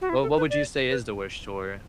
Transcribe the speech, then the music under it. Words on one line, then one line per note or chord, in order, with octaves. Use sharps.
Well, what would you say is the worst chore?
F#4
E4
A4
B4
D5
B4